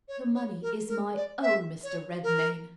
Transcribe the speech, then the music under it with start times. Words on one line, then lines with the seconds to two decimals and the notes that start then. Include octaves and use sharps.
"The money is my own, Mr. Redmain."
0.08 C#5
0.35 C#5
0.62 A#4
0.88 A#4
1.16 D5
1.42 E5
1.83 C#5
2.24 A#4